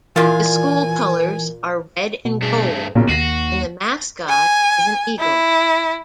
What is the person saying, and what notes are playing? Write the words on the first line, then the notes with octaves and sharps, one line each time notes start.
The school colours are red and gold, and the mascot is an eagle.
A#2 E3 F4 A#4 G#5
B2
G2 A3 G#4
B1 A#2 C#3 A#3
D#2 F#4 A#6 C7 D#7
G#5
E4